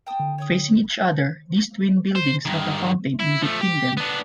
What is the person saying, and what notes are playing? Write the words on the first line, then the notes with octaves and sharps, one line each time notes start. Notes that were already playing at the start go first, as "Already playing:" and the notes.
Facing each other, these twin buildings have a fountain in between them.
G5 A5 D#6
D3
C#5 G5 D#6
C5
G2 D#3
E4
F3 A3
G4
B3 D4